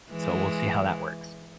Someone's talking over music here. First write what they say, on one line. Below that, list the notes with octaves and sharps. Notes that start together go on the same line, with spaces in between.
So, we'll see how that works.
E3 G#3